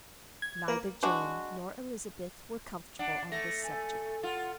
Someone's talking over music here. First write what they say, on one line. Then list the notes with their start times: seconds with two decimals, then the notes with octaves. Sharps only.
Neither Jane nor Elizabeth were comfortable on this subject.
0.42 G#6
0.68 A#3 B4
1.03 G#3 D4 F#4
2.99 D4 F#5
3.32 A3 A#6
3.64 G#5
4.23 F4 F#5